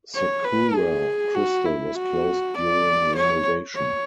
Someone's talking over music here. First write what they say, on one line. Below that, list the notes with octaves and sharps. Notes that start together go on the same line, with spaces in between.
Sakura Kristal was closed during renovation.
C#5
B4
G#4
F#4
E4
F#4
D5
C#5
C#5